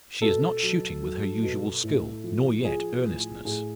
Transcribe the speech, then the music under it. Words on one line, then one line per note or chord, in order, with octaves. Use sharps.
She is not shooting with her usual skill, nor yet earnestness.
B2 A4
F#3
F#3
B2
A2
F3
F3 G#4
A2
A2 G#4